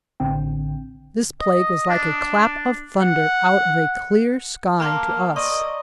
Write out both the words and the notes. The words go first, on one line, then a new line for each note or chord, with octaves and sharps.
This plague was like a clap of thunder out of a clear sky to us.
A1 D3 C4 G5
D#5
D4
F#5
A#3 A5 A#5 C6 D6 F6
A#3
D5 D#5 C6 C#6